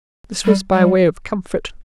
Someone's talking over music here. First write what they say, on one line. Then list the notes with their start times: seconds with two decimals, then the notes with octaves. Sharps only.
This was by way of comfort.
0.44 G3
0.73 G3